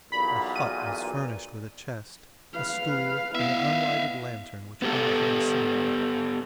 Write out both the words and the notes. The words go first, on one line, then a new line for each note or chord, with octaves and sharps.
The hut was furnished with a chest, a stool, and an unlighted lantern which hung from the ceiling.
B1 E2 A#2 B5
D#7
B4 F5
B3 E4 E5 F5
B3 G4 A4